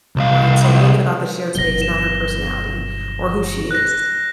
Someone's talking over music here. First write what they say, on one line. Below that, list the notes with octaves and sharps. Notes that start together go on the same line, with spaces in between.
Right, so make it about the shared space, not her personality, or who she is.
C2 F5
G1 B2 F#3 A#6 G7
E7
F#6 A#6